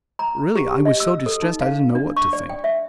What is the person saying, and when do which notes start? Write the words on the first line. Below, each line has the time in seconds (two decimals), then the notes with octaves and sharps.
Really I was so distressed, I didn't know what to think.
0.19 A#5
0.56 G4
0.85 D#5
1.00 E6
1.26 A4
1.42 D#4
1.61 F5
1.95 D4
2.17 C#6
2.33 D5
2.49 G5
2.64 E5